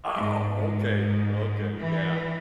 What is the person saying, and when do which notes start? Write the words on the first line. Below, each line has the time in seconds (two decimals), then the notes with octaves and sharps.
Oh, okay, okay, yeah.
0.15 G#2
0.56 G#2
1.78 E3